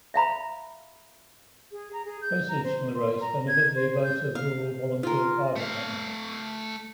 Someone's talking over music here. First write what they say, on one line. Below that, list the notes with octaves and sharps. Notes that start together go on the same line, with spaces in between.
Proceeds from the race benefit the Avoca Rural Volunteer Fire Department.
E5 F5 A#5 B5
G#4
A#5
G#4
G6
A#5
C5
C6
A#5
G#6
C5
G6
F5
F4 A#4
A3 F5